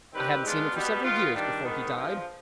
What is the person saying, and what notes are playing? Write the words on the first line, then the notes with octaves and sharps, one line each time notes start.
I hadn’t seen him for several years before he died.
D#3 G3 C4 G4 B4
G#3 B3 D4 F4
B2 G3 B3
G#2 D#3 B3 F4
D#3 G3 D4
G#2 D#3 B3
G2 F3 G#3